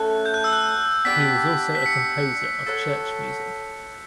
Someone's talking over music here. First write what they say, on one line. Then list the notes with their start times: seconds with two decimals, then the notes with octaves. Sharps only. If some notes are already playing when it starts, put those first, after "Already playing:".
He was also a composer of church music.
Already playing: A3 C#4 F#4 A4 F#6
0.26 G6
0.34 F#6
0.44 E6
0.53 F#6
1.05 B3 D4 G4 B6
1.75 B6
1.86 C#7
2.66 F#4 A4 C#5 F#5